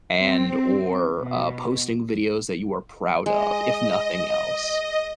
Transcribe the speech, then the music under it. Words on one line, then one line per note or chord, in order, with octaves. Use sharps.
and, or, uh, posting videos that you are proud of, if nothing else.
C4
B2
G#3 D#5